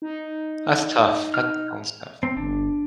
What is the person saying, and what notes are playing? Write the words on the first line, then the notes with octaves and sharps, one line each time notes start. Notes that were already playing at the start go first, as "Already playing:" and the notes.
That's tough. That sounds tough.
D#4
F6
C4
G1 D4